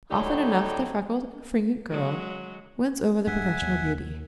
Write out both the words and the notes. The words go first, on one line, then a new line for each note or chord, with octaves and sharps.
Often enough the freckled and fringrant girl wins over the professional beauty.
A2 D3 F#3 D#4 G4
F#3 G#3
G2 G#3 E5 F#5 G#5
D#2